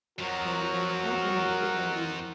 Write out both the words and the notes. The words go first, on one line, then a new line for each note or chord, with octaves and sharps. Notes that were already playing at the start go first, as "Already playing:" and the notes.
paying them a compliment. It can be
F2 F3 F#3 F#4 A#4